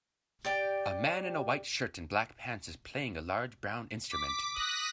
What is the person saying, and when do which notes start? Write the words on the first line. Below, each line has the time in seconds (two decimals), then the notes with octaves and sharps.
A man in a white shirt and black pants is playing a large brown instrument.
0.45 G4 D5 G5
4.08 D6 B6
4.54 D#6 F#6 A#6 B6